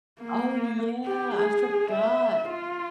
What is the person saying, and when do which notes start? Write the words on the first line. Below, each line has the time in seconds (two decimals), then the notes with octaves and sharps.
Oh yeah, I forgot.
0.21 A#3
1.06 G4
1.34 G#4
1.92 E5
2.49 F4